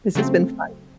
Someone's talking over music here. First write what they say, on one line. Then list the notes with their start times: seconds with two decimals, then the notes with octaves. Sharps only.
This has been fun.
0.15 C#3 F#3 A3 C4